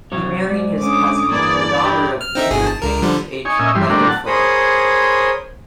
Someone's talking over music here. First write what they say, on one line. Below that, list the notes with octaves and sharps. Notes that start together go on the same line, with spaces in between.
He married his cousin, the daughter of Major James H. Rutherford.
C3 F#3 C#5
G#2 D5
D3 C#4 D6 D#6
G2 D3 E3 A#3 G#4 D5
G4 B4 B5
F6
C4 D#4 E5
G1 B2 G#4
A5
C#2 A#4
D3 F3 G3
D#4 C#5 G#5
A#2 C#4 D#5 E5 G#5
G2 E3 G3 C6
D3 G3 A3 A#3 C4 D4
F#5 A5
G#4 A#4 C5 C#5 B5 D#6